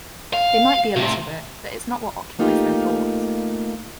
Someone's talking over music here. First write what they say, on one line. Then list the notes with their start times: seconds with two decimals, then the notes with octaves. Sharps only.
They might be a little bit, but it's not what occupies their thoughts.
0.33 F5
0.96 A2 C3
2.39 A3 A#3 D#4 F4 G4